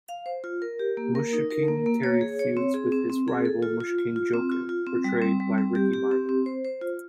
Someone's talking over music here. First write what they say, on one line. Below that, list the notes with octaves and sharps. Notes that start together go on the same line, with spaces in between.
Mushiking Terry feuds with his rival Mushiking Joker, portrayed by Ricky Marvin.
F5
C5
F4
A#4
G4
A#3
A#4
D#4
A#4
A#3
A#3
C#5
G#4
C#5
C4
G#4
C4
C4
G#4
A4
F4
F4
F4
F4
C4
F4
F4
C4
G3
C4
G3
C4
G4
G4
C4
C4
C5
C5
F4